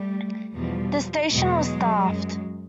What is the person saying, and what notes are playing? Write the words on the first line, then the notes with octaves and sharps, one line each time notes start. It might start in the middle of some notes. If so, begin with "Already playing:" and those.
The station was staffed.
Already playing: G3 A3
E2 B2 F3 G3
E2 B2 F#3 G#3
F#2